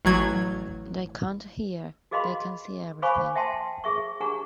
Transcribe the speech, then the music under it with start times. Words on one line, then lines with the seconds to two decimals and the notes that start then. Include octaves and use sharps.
They can't hear, they can see everything.
0.05 A1 F#3 G#6
2.11 F#4 G#4 D#5 F5 B5 C6
3.02 C5 F5 G#5 B5 C#6 D6
3.36 E5 F#5 G5 A5 C6
3.84 G#4 E5 C#6
4.20 D4 G4 G#4 F#5 A#5 C#6